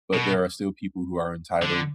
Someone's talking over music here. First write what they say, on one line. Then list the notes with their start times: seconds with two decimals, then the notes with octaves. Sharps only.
but there are still people who are entitled,
0.13 B2
1.62 D3